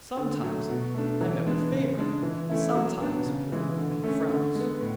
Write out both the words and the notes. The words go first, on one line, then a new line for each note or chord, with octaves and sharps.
Sometimes I met with favor, and sometimes with nothing but frowns.
D3
F#3 A3
B2
A3 D4
E3
G#3 B3 D4
C#3
G#3 D4
E3
A3 C#4 E4
F#3
B3 D4
C#3
E3 G#3
D3
A3 C#4
D3
G#3
B3
A2